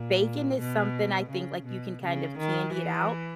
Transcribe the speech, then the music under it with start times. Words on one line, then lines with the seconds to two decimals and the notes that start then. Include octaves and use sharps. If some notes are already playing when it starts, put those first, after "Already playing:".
bacon is something, I think, like, you can kind of candy-it-out
Already playing: A#2
0.58 B2
1.30 C#3
1.66 B2
2.02 C#3
2.38 D#3
2.74 E3